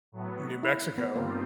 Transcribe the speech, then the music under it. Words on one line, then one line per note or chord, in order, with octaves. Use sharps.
New Mexico
A2 F#3 B3
E4
B3
G2 D#3 G3 A#3 C4 F4